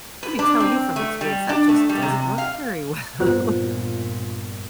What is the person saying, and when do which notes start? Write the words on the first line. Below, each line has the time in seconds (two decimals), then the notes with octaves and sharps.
let me tell you from experience, that just doesn't work very well.
0.23 B4
0.39 D4
0.60 C4
0.96 A3
1.21 G3
1.49 D4
1.69 A3
1.89 G3
2.02 C3
2.38 F5
3.20 G2 A#2 B3 F4 C5